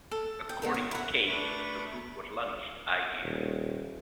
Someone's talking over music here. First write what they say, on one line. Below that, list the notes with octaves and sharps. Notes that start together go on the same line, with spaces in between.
According to Cave, the group was Lunch's idea.
A4
G5
C#3 G#3 B3
C#5
E4 A#4 E5 F#5
A3 D4 B4 B5 C#6
D#1